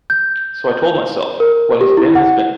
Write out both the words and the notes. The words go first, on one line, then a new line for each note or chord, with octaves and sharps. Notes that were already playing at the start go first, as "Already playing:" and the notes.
So I told myself: what has been has been.
G6
A#4
G4
E4
F#5